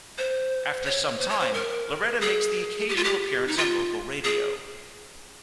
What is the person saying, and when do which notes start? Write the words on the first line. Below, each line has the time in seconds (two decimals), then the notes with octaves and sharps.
After some time, Loretta makes the occasional appearance on local radio.
0.18 C5
0.85 C#5
1.19 C5
1.29 C#5
1.40 C5
1.54 A#4
2.21 G#4
2.89 G4
2.96 F4
3.04 G4
3.47 D#4
3.57 F4
4.24 G#4